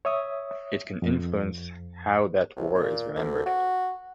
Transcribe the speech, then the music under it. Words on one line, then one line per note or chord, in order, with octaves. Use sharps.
It can influence how that war is remembered.
C#5 E5 D#6
F2
C2
A#2
D2
F#4